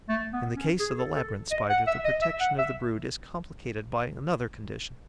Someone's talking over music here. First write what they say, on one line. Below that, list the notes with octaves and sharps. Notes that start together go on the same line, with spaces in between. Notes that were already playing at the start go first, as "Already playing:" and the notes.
In the case of the Labyrinth Spider, the protection of the brood is complicated by another condition.
A3
B3
C#4
G#4
A4
A4
D#5
F#5
E5
D#5
E5
F#5
E5